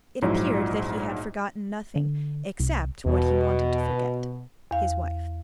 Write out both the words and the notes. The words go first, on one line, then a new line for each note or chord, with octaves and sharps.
It appeared that he had forgotten nothing except what he wanted to forget--his wife.
A#1 G#2 F3 F#3 E4 D5
D3
C2
E2 B2
E2 F5